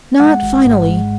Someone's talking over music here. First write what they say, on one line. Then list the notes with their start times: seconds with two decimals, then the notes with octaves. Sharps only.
'Not finally.
0.20 G#3 F#5
0.43 G#1
0.66 G#2
0.89 G#3